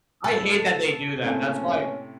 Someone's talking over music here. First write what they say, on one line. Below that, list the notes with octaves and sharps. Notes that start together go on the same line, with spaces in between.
I hate that they do that, that's why
A2 A4
A2 C3 A#3 C#4